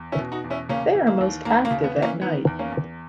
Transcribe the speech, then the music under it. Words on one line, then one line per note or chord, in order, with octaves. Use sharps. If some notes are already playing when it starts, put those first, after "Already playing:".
They are most active at night.
Already playing: E2
C#4 E4
B2
D#4 F#4
E2
C#4 E4
C#3 A#3 C#4
E3
A#3
D#2
D#2 A#3
A#3
C#3
B3
E3
A#3 C#4
D#3 B3
E2
A#3 C#4
E2